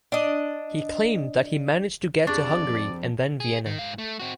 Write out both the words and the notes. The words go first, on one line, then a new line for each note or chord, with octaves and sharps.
He claimed that he managed to get to Hungary and then Vienna.
D4 D#5
F2 D4 G4 G#4 D5 C#6
G#4
D#3
G#2 F5
A3
C4 F#4